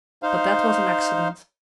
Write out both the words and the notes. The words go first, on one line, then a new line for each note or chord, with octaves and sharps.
But that was an accident.
D#4 C5 F5